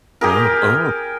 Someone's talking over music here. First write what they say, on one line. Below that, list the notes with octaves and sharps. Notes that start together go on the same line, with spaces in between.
Oh, oh.
G4 G#4 A#4